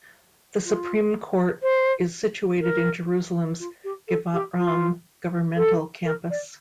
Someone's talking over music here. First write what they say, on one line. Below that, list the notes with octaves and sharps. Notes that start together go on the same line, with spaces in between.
The Supreme Court is situated in Jerusalem's Givat Ram governmental campus.
F4
C5
A#4
F4
G4
A4
G4
F4
A4
A#4
D5